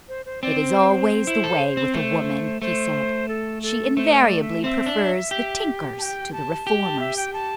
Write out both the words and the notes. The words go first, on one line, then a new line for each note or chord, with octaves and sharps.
"It is always the way with a woman," he said; "she invariably prefers the tinkers to the reformers."
C5
C5
C4 D5
C5
E4
A4
C4
A3
A3 C5
A4
A4
A3 C5
E5
D5
E5
C4 E5
D4
G4
A5
G5
A5
G4
A5
E5
G5
A5